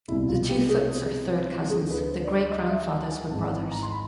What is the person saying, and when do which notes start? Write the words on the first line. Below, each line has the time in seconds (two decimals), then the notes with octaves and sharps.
The two Footes are third cousins; their great-grandfathers were brothers.
0.08 C2 B2 E4
0.29 F4
0.49 G4
0.69 G#4
1.70 D2 D3 G#4
1.91 B4
2.10 C5
2.24 D5
2.37 D5
2.50 D#5
2.70 E5
2.90 F#5
3.11 G#5
3.31 G#1 G#2 E3 A5
3.71 A#5
3.82 C6
3.92 B5